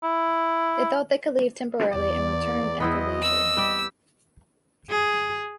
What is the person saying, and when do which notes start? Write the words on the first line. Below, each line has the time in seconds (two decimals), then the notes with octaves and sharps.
They thought they could leave temporarily and return at their leisure.
0.03 E4
1.93 E2 D5
2.80 B3 C4 E4 D#5
3.22 E6
3.57 G3 G4
4.90 G#4